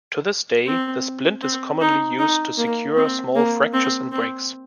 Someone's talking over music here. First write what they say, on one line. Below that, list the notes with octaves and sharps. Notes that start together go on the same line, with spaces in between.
To this day, the splint is commonly used to secure small fractures and breaks.
C4
C4
D#4
D#4
A#3
C4
A#3
C4
C4